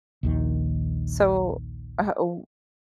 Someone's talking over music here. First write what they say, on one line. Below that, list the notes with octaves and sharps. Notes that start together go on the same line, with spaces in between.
so, uh oh,
A#1 D#2 D#3